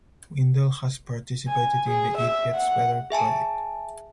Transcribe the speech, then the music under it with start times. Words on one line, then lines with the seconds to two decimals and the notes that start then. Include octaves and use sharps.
Windle has participated in the It Gets Better Project.
1.48 G#5
1.87 G#4
2.18 E5
2.55 F#5
3.10 G#4 E5 G#5 A5